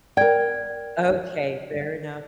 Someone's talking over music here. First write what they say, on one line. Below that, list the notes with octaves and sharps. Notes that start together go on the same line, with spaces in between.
Okay, fair enough.
A#4 D5 G5 G#6